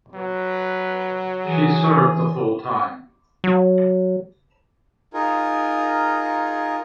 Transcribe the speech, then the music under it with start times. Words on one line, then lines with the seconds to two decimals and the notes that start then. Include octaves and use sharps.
She served the full time.
0.15 F#3 B4
1.45 E3 G#4
3.44 F#3
5.14 D#4 F4 G#4 A#4